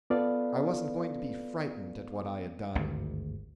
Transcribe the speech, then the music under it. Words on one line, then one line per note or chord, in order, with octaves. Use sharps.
I wasn't going to be frightened at what I had done.
B3 F4 A4 B4 D5 F5
G#1 D2 G2